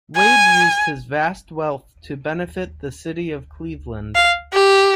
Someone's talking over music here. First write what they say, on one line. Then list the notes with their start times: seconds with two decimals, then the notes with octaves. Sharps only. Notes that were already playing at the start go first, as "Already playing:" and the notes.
Wade used his vast wealth to benefit the city of Cleveland.
0.16 G#5
4.16 F5
4.53 G4